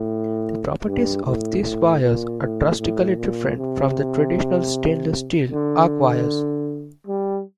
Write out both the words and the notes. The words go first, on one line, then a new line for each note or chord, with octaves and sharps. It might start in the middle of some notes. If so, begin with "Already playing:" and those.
The properties of these wires are drastically different from the traditional stainless steel archwires.
Already playing: A2
G2
A2
A2
A#2
A2
A2
A#2
C3
D3
G3